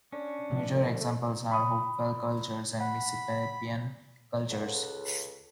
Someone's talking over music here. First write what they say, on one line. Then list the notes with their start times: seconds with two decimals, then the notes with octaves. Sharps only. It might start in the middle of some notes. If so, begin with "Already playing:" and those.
Major examples are the Hopewell cultures and Mississippian cultures.
0.12 C#4 D4
0.51 A2 D3 F3
0.73 C2
1.00 A3
1.51 B5 C#6 D#6
2.80 F#5 B5
4.49 C#2 A4 F#5